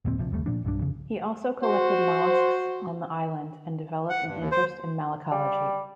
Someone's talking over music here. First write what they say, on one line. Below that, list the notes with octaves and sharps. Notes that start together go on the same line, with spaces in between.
He also collected molluscs on the island and developed an interest in malacology.
F#1 D#2 A#2 C4
A#1 C3 F3
F#1 D#2 G3 A3
A#2 F3 D4
B1 G2 F3 D4
F2 C#3
F#4 C5
F#5
G2
D#2
C5
G3